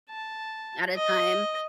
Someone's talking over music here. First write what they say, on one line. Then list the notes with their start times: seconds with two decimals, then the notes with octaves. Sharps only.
at a time,
0.10 A5
0.96 D#5